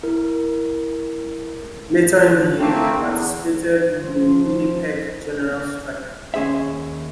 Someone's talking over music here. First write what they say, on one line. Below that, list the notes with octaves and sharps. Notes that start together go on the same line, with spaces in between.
Later in the year, he participated in the Winnipeg General Strike.
E4 A#4
A3 A#3 C4
E2
F3 C5
D#2 C#4 G#4 C5 E5